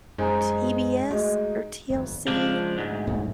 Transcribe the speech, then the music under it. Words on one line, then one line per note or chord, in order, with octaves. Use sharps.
TBS or TLC.
F#2 G#3 D#4 C5 G#5 A#5
A3 F#4 G#4 D#5
G1 F2
C#3 F3 G#3 D4
D2 G#2
F#2 A2